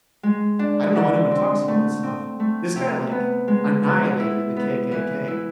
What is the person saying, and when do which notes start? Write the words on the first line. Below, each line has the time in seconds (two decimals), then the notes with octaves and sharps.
I don't know why no one talks about this enough, this guy, like, annihilated the KKK,
0.23 G#3
0.59 D4
0.95 D3
1.31 C4
1.68 A3
2.03 C4
2.40 A3
2.76 C3
3.11 B3
3.48 G#3
3.83 B3
4.20 E4
4.56 B3
4.91 E3
5.28 E4